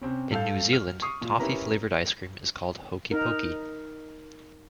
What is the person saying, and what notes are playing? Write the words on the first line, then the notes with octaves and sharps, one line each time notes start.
In New Zealand, toffee flavoured ice cream is called "hokey pokey".
C3 C4 C#4
G2 A4 F5 G6
F6
C#6 D#6 C7
A#2
C#4 E4 G4 A#4 B4 A#5
D#4 A#4